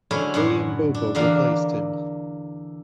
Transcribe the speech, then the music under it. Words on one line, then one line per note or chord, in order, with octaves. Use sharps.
William Bobo replaced him.
D3 F#3 G#3 A3 C#4 E4
F#2 A2 F#4 D5 C6
D4
E2 D3 A#3 D4 F5 F#5